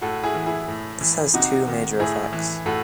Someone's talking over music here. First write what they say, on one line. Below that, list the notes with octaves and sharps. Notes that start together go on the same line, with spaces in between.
This has two major effects.
A2 F#4 A4
E4 G#4
E3
E4 G#4
A2
E3
C3 D#4 F#4
D#3
A2 E4 G#4
E3
A2 F#4 A4